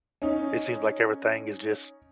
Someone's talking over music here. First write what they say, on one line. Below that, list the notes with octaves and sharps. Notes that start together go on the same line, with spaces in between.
it seems like everything is just
C#4 D#4